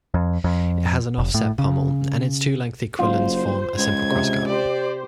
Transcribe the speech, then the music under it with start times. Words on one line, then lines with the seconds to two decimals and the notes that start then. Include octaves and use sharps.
It has an offset pommel, and its two lengthy quillons form a simple crossguard.
0.14 F2
0.44 F2
1.18 F1
1.34 A2
1.59 C#3
2.99 F#1 F4 C5
3.78 C#2 G#6
4.12 C3
4.48 G4 C5 D5